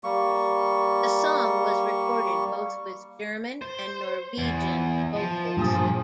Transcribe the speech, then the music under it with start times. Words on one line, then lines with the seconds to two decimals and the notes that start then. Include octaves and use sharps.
The song was recorded both with German and Norwegian vocals.
0.04 G3 A#3 C#6
3.62 C5
4.38 E2
5.16 F3
5.57 G2 A#2 G#4